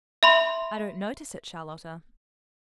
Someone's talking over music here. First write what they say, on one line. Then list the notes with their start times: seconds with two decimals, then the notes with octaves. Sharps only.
"I don't notice it, Charlotta."
0.23 E5 B5 C6